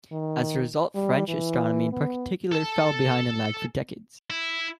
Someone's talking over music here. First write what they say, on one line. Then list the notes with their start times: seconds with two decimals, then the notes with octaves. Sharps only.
As a result, French astronomy in particular fell behind and lagged for decades.
0.12 D#3
0.95 G3
1.28 E3
1.93 B3
2.52 A4 A5
4.30 E4